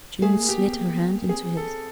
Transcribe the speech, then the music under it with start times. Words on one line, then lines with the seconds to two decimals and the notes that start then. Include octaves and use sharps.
June slid her hand into his.
0.22 A3 G#4
0.40 A#3
0.49 G4
0.58 B3
0.76 A#3
0.94 B3
1.12 A#3
1.29 C4 G#4
1.57 A4